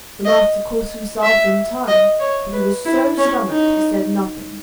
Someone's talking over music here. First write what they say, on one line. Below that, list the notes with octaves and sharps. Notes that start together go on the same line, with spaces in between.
The master caught himself in time, but he was so stomached, he said nothing.
D#5
E5
D#5
C#5
B4
E4
C#4
D#4